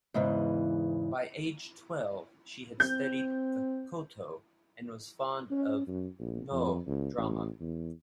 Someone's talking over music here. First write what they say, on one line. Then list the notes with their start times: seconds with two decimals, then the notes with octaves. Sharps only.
By age twelve, she had studied the "koto" and was fond of "Noh" drama.
0.14 E2 G#2 C#3 E3
2.80 C4 G6
5.51 C#4
5.87 F#2
6.19 A#1
6.51 F2
6.87 C#2
7.17 A1
7.60 E2